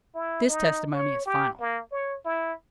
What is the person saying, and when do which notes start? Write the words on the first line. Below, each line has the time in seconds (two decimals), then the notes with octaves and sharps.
This testimony is final.
0.15 E4
0.49 D#4
0.93 C#5
1.26 G4
1.60 A#3
1.92 C#5
2.25 E4